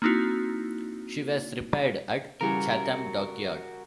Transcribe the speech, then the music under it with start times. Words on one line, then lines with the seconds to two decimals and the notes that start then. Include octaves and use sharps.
She was repaired at Chatham Dockyard.
0.02 A#3 C4 D#4 E4 F#4
2.41 C#3 E3 G3 F#4 A#4